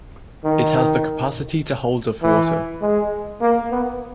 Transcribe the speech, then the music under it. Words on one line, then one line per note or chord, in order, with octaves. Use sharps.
It has the capacity to hold of water.
D#3
E3
G#3
A#3
B3